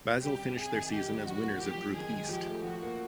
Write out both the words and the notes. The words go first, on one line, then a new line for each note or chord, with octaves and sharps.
Basel finished their season as winners of group East.
G3 G4
C3
C3 G#4
D#3
D#3 G4
G3
F#3 F#4
A#3
F3 G4
F#2
D#3 G#4
G#3
F3 G4
A3
F3 F#4
A#3